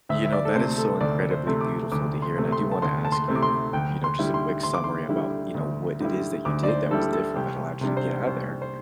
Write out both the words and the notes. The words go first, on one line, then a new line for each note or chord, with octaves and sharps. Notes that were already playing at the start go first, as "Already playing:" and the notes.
You know, that is so incredibly beautiful to hear and I do wanna ask you, you know, just a quick summary about, you know, what it is that you did that was different that allowed you to get outta there.
D2 E5
E5
D5
A4
C3 A3 C4 C5
A4
D2 D5
C5
C3 A3 C4
D6
D2 D6
C6
C3 A3 C4
C6
A5
D2 C6
A5
C6
C3 A3 C4
D6
C6
D2 G5
C6
D3 G3 E4
C6
D2 C6
D6
C6
D3 G3 E4
D2
D3 G3 E4
D2 D6
D5
C5
D3 G3 E4 A4
A4
C2 G4
C3 G3 D4
C5
C2 C5
C5